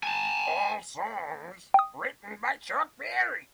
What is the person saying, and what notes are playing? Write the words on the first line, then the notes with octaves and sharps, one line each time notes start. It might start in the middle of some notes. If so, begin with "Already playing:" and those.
All songs written by Chuck Berry.
G#5 A5
G5 D#6